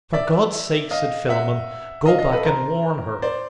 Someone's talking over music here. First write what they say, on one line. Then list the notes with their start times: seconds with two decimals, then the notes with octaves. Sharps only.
'For God's sake,' said Philammon, 'go back and warn her!
0.13 D5 E5
0.91 D#5 F5
1.29 E5 F#5
2.06 D#5 F5
2.19 D#5 F5
2.31 A4 B4
2.45 A#4 C5
3.22 C5 D5